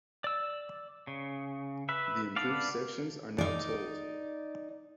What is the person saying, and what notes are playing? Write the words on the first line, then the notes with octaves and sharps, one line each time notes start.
The improved sections are now tolled.
D5 E6
C#3
B4 E5
B3 D4 D5 F5
D#4 D5